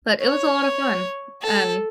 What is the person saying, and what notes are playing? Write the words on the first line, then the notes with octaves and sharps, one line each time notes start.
But it was a lot of fun. And
C#5
A4